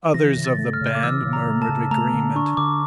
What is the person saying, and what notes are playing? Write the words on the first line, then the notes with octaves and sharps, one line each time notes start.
Others of the band murmured agreement.
E3 A#6
C#3
A6
A3
F6
C#3
D6
E3 E6
C#3
A#5
A3
A5
C#3
A3 A#5
D3
D4 C#6
D3 D6